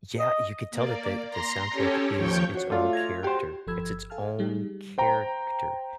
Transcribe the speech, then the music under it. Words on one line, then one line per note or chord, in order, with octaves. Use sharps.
Yeah, you could tell that the the soundtrack is its own character, it's its own character,
D#5
A#3 D5
A#5 C6 A#6
C#4 G4 A4 C#5
D#2 F3 C#5 G5 C#6 G6
F#4 C#5
A3 F4 D5
G#6 A#6 F7
F#4 G4 C5 G5
G1 F3 A4 B5 E6 G#6
A4 F5 G#5 A5 F6
G3 D#4 G4 G#4
C5 G5 A#5